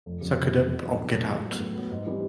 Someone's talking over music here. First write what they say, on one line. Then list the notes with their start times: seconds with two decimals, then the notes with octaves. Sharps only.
Suck it up, or get out.
0.06 F1
0.21 F2 C#3
0.37 F1
0.53 F2 C#3
0.68 E2
0.83 C#3 F#3 B3 D4
0.99 E2
1.14 C#3 F#3 B3 D4
1.29 A2
1.45 F#3 B3
1.60 A2
1.75 F#3 B3
1.91 G#2
2.07 E3 G3 C4